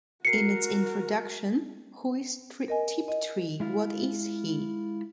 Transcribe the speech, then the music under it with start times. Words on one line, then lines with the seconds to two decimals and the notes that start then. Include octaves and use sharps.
In its introduction, Who is Tiptree, What is He?
0.25 F#4 A#4 C7 C#7
2.68 A#4 D#5 G#5
3.08 D#5
3.60 G#3 E4 F4